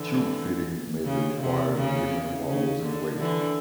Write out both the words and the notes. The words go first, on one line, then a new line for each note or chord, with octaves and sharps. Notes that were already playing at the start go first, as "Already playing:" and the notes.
Tube feeding may be required in women who are losing weight.
Already playing: D3 E3
C#3
C3
C#3
C#3
D3
D3 E3